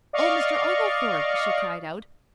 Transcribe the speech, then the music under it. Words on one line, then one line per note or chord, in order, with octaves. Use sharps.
"Oh, Mr. Oglethorpe!" she cried out.
D5 D#5 F5 C#6